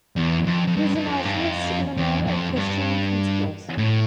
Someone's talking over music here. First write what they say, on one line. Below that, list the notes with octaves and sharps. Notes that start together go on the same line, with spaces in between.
He is a nationalist and a man of Christian principles.
E2
F2
F2
G2
G2
F2
G2
F2
E2
F2
G2
A2